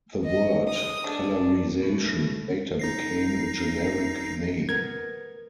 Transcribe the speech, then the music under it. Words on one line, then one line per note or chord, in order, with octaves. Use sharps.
The word "colorization" later became a generic name.
D#5
D#6
D4
B2 A3
D#4 A#6 C7
B3 A#4 G#6